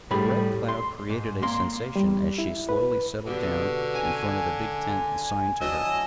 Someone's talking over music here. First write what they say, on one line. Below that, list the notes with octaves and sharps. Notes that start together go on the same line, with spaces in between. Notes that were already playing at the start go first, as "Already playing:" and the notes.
The Red Cloud created a sensation as she slowly settled down in front of the big tent assigned to her.
A2 G3 G#4 B5
C6
G#2
A#3 C6
G3
E4
B4
B2 D3 G4
C#4 F#5 G#5 A#5
F#3 D4 E4 D#5 E6